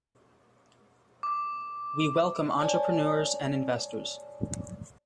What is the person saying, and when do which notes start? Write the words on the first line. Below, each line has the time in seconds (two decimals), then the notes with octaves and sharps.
We welcome entrepreneurs and investors.
1.23 D6
2.60 C#5 D5 G#5 A5